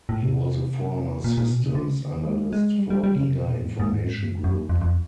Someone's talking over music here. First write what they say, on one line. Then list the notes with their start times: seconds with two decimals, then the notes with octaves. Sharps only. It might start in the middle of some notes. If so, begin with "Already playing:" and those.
He was a former systems analyst for Giga Information Group.
0.09 A2
0.22 C3
1.24 A#2
1.38 A#2
1.50 B2
1.63 C#3
1.75 D3
1.88 C#3
2.01 D3
2.13 D#3
2.27 G#3
2.53 G#3
2.78 G3
2.90 G3
3.04 G3
3.16 C#3
3.28 C3
3.42 B2
3.54 A2
3.67 G#2
3.80 G#2
3.93 A2
4.06 G#2
4.18 G2
4.31 F#2
4.44 F#2
4.69 F2
4.82 F2